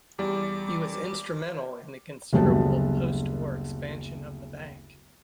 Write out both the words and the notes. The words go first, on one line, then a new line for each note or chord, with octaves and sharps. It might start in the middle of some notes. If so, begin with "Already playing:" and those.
He was instrumental in the considerable post-war expansion of the bank.
E2 G3 D5 D6
D6
F#1 D2 F#3 G3 B3 A5